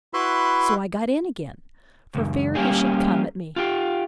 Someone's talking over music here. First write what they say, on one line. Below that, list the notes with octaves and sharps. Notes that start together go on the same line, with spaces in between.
So I got in again, for fear he should come at me.
E4 F#4 B4 E5 C6
C#2 F#2
G3 A#3 C#4 G4 G#4
F4 G4